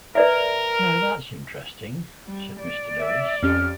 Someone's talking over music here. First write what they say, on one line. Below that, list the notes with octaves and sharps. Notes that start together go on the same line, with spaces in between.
"Now that's interesting," said Mr. Lewis.
A#4 B4 D5 E5
G3
D5
E5
F2 C#4 G4 F6